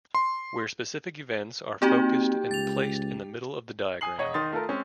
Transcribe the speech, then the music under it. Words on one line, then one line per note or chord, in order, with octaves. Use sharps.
Where specific events are focused and placed in the middle of the diagram.
C6
A#3 C4 D#4 F#4 G4
C#2 A6 F7
G#5 D#6 C7 F#7
E1 C#5 D#5
D#3 D#4 C6 D#6 A6
A3 F4 A4 A#4
G#3 C4 C#4